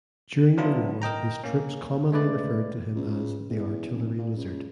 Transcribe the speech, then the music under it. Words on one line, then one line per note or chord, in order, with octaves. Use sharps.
During the war his troops commonly referred to him as "the artillery wizard".
F#3 B3 D4 E4 F4
A#4 D#5 G5 A#5
A#3 C#4
G#3 A3 B4 D5
C#2
E2
F1
A#2
C#2